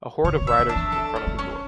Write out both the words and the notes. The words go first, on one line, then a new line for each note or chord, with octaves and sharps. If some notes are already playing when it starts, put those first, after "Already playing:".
A horde of riders was in front of the door.
D3 C#5
C#3
E5
D3
D4
E3
A4
C#4
G#3
C#4